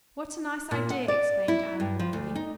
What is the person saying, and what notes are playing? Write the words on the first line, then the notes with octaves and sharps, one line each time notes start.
"What a nice idea!" exclaimed Anne warmly.
A#2
F#5
D5
E4
G2
F3
D2
D#4